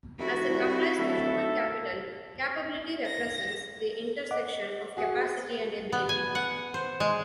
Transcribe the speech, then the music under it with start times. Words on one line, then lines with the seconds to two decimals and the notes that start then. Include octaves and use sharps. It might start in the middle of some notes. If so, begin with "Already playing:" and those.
As it applies to human capital, capability represents the intersection of capacity and ability.
0.18 F1 E4 F#4
0.48 C2
0.98 D1 A4 E5
3.06 A#6
4.31 D#5 F#5 D6
4.97 F#4 G#4
5.93 B3
6.09 G#5
6.35 F#5
6.74 C5
7.00 G#3